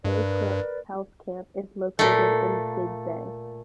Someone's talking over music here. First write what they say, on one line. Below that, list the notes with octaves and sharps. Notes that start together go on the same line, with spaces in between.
Bay Cliff Health Camp is located in Big Bay.
G2 A#4 B4 D5
A#2 A3